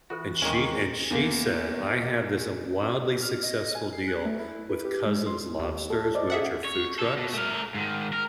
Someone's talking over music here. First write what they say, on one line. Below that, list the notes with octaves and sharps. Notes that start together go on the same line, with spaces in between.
and she and she said, "I have this wildly successful deal with Cousins Lobsters, w which are food trucks.
E3 F4 F#4 A4 C5
D#2 D#3 G#3 A#3 C4 C#4 G#5 C#6
E2 A#3
F6
D#5
G#5
C7
F#6
A3
E4
B4
G4
G#3
C6
D#2
A4
C5 D5 D#5
G#4 E5 F#5
C#5
A4 D5
B2
A3 A#4
G#2 D#3
A#4